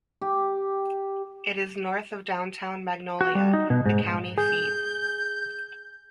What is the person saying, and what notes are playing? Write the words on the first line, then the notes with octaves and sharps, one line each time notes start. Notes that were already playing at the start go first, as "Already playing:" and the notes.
It is north of downtown Magnolia, the county seat.
G4
F#4
G3
D#4
B2
G#2
G#4 G6